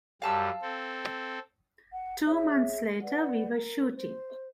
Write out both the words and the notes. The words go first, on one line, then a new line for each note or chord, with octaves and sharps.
Two months later, we were shooting.
F#2 G3 F5 A5 E6
C4 A4
F#5
G#4 C#5 E5
B4 D5 F#5
A#4
C5